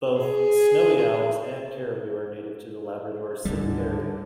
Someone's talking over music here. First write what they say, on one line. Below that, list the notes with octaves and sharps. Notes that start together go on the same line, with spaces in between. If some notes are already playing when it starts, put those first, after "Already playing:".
Both snowy owls and caribou are native to the Labrador City area.
G#4
D2 G#2 D3 G3